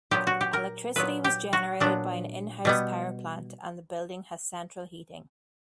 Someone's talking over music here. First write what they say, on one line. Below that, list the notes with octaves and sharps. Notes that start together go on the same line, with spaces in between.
Electricity was generated by an in-house power plant and the building has central heating.
A#2 F#3 B3 G4
F#4
G4
A#4
A#2 F#3 B3 B4
G4
F#4
A#2 F#3 B3 D4
B2 G3 B3